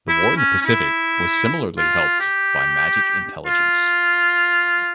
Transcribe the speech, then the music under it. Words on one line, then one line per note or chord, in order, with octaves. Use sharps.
The war in the Pacific was similarly helped by 'Magic' intelligence.
E4
C#4
C#4
E4
F4
G4
F4